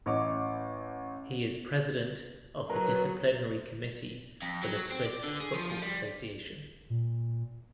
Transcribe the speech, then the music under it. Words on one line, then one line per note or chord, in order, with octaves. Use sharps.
He is president of the Disciplinary Committee for the Swiss Football Association.
A1 C#5 D#5 D6
F#3 G#4 A#4 B4
F2
F#3
C4
D5
D3
G#4
F3
F3
G3
A#2